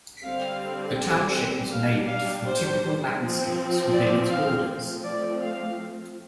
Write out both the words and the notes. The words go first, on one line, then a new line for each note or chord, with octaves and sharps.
The township was named for the typical landscapes within its borders.
D3 G3 C4 F5
G3 D4 F5
F5
C5
F3 C4
D5
F5
F3 A3 C4
D5
F5